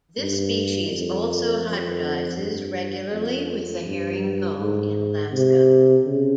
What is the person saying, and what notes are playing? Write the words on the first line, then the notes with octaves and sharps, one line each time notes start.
This species also hybridizes regularly with the herring gull in Alaska.
G2
F2
F2
G2
F2
G2
G#2
C3
C#3